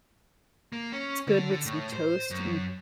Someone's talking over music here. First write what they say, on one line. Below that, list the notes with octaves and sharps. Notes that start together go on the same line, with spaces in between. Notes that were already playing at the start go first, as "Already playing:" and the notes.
It's good with some toast. Mm.
A#3
C#4
D3
D3
A2
C5
F#2